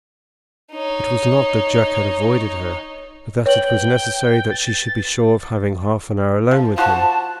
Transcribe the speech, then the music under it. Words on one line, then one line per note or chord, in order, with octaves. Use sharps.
It was not that Jack had avoided her, but that it was necessary that she should be sure of having half-an-hour alone with him.
D#4 C#5
B4 C#5 G5 F#7
A6
F3
F3 F#4 A5